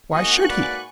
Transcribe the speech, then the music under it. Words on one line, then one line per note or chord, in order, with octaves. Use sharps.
Why should he?
G#2 A#3 F#4 D#5 G#5 C#6 F#6
B4 D5